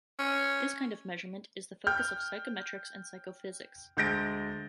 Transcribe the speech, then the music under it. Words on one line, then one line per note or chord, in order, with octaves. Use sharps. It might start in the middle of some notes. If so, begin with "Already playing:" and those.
This kind of measurement is the focus of psychometrics and psychophysics.
C#4
G5 F6 G6
D2 G#3 G6 A6 A#6 D7